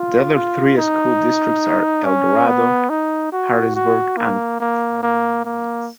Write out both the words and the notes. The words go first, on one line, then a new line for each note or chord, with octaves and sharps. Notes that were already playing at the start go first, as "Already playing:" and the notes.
The other three school districts are Eldorado, Harrisburg, and Carrier Mills.
Already playing: F4
F4
D#4
C#4
B3
D#4
F#4
F#4
A#3
A#3
A#3
A#3